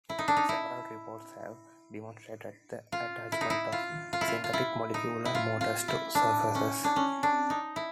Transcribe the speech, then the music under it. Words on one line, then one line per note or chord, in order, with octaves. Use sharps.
Several reports have demonstrated the attachment of synthetic molecular motors to surfaces.
E4
D#4
D4
D#4
E4
F4
E4
D#4
E4
F4
F4
E4
F4
F4
E4
D#4
E4
F4
F4
E4
D4
C#4
D4
C#4
D4
D#4
E4